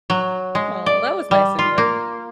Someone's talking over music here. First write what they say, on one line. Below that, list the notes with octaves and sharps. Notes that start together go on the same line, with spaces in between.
Well, that was nice of you.
F#3
G#3
D5
G3
F4
A#3